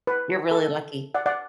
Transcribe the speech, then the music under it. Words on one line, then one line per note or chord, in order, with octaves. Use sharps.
You're really lucky.
B4
A4
D5 F#5
D5 F#5